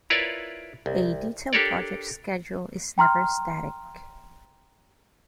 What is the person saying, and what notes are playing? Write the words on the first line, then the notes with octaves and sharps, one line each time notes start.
A Detailed project schedule is never static.
E4 F4 A#4 B4 C#5 D5
C2
D4 G4 A4 A#4 C#5 D5
G5 A#5 C6 F6